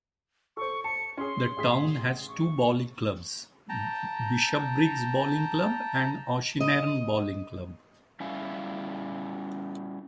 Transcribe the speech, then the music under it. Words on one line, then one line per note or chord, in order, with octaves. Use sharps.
The town has two bowling clubs; Bishopbriggs Bowling Club and Auchinairn Bowling Club.
A4 C5 C#6
A5 C#7
C#4 G#4 C6
A1 G#4 B6
C#6
G5 A5 A#5
D#5
G3 C#4 E4 E5 F5